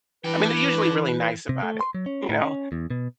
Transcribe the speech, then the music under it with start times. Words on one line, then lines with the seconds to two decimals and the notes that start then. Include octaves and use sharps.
I mean, they're usually really nice about it, you know.
0.25 E3 D4 B4 G5
1.49 C3
1.63 A3
1.81 C6
1.95 F#3
2.06 C#4
2.29 A2
2.42 C#4
2.72 E2
2.90 B2